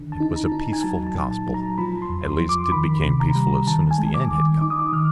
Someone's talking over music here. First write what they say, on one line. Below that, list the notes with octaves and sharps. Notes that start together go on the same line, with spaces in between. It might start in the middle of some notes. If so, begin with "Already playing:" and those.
It was a peaceful Gospel; at least, it became peaceful as soon as the end had come.
Already playing: D3 D#3
A5
D#4
A#5
D#4
A5
G#5
F#3 A5
A5
A#2
A5
F#3
A#5
F3 B5
C6
F2
C6
F3
D6
D#3 B5
C3
A#5
G3
D#3 A5
G#5
G#3
D6
D#3
D#4 D6
D#6
D6
D#3 F6